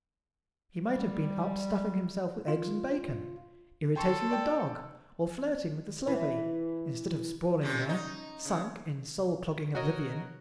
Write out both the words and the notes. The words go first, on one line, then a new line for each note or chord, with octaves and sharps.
He might have been up stuffing himself with eggs and bacon, irritating the dog, or flirting with the slavey, instead of sprawling there, sunk in soul-clogging oblivion.
G3
F4
A4 G5 C6 C#6
D5 G5
E3
A2 C3 C#4
D#4
C#3
F#4 A#4 C#5 D#5